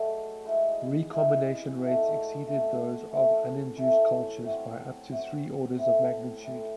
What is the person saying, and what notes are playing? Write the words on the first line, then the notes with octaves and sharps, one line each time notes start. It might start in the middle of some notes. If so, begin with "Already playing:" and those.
Recombination rates exceeded those of uninduced cultures by up to three orders of magnitude.
Already playing: F#3 A3 D#4 G#4
E3 G#3 D#4
E3 G#3 D#4
A3 D#4 F#4
A3 D#4 F#4
E3 A3 C#4
E3 A3 C#4
C3 F#3 C4
C3 F#3 C4
A2 E3 C4 E4
A2 E3 C4 E4